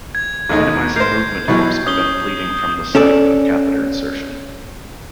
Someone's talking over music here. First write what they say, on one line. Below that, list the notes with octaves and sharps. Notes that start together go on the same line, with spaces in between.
Minimizing movement helps prevent bleeding from the site of catheter insertion.
G#6
A1 D#2 D#4
A#4 C5 G6 C7
B2 E3 F#3
C#4 D#6 G6 G7
C#4 A4 D5